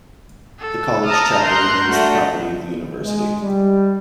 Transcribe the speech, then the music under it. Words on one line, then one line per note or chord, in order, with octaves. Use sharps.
The college chapel remains the property of the university.
A4
A5 A#5 D#6 F6
A#4 A#5 C6 F#6 G6
A3 D4 F#4
G#3
G3